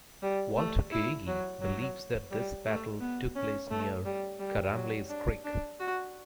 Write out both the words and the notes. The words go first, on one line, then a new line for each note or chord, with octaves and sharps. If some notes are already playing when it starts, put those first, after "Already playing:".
Walter Kaegi believes that this battle took place near Karamlays Creek.
G3
A3
E4
F#3
F#3
G3
A3
B3
C#4
A3
G3
G3
F#3
D4
D4
F#4